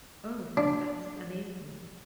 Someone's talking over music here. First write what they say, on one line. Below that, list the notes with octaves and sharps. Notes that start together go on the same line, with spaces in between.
Oh, that's amazing.
D4